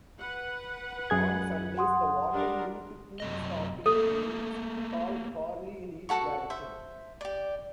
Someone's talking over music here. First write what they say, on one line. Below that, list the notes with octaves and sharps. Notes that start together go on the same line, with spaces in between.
On Sundays the Waterloo to Poole stopping trains call hourly in each direction.
B4 F#5
F#2 G#4 G#6
F#5 C6 D#6
G3 D4 A#4
F#2 C3 D#5
A3 A#3 A4
F#4 A4 F#5 C#6
C5 E5
G4 D5